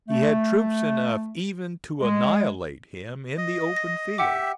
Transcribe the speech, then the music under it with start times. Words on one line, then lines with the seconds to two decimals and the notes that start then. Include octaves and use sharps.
He had troops enough even to annihilate him in the open field.
0.08 A3
2.00 G#3
3.38 D#5
3.76 A#6
4.18 G4 E5 F#5 G5 D6